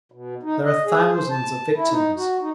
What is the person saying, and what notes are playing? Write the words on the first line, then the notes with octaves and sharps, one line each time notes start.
There are thousands of victims.
B2
D#4
D#5
G#4
C5
A5
E4
D#4
F#4
D#4